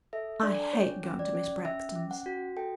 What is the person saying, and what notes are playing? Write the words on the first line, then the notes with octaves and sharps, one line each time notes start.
"I hate going to Miss Braxton's."
A4 E5
D4 D5
C#4 C#5
C#4
D5
C#4
C#4 E5
C#4
F#5
F#4
A4 G5